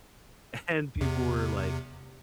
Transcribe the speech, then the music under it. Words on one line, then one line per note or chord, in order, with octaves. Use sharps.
and people were like
E2 C3